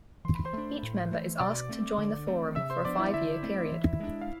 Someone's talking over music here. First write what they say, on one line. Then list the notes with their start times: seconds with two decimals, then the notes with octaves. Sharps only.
Each member is asked to join the forum for a five-year period.
0.25 E3 C6
0.35 B5
0.45 C5 C6
0.53 A3 D4
0.83 A2
1.11 E3 A3
1.40 B2 D5 D6
1.69 A3 C4
1.98 D3
2.27 A3 C4
2.55 C3 E5 E6
2.70 C5 C6
2.85 F3 B3 D4 D5 D6
2.99 E4 E5
3.14 D3 E4 E5
3.43 A3 C4
3.71 E3
4.00 G#3 D4
4.21 F5